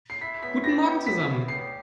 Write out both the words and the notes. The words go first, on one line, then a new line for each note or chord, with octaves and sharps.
Guten Morgen zusammen!
C7
E4 B6
B3 B6
G4 A#6
B3
E4 B6
B3
G4 C7